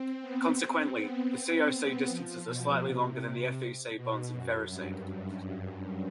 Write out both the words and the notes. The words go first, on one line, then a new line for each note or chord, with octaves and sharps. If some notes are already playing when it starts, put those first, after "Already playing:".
Consequently, the Co-C distances are slightly longer than the Fe-C bonds in ferrocene.
Already playing: C4
B3
C4
B3
C4
B3
F3
B2
C3
B2
F#2
G2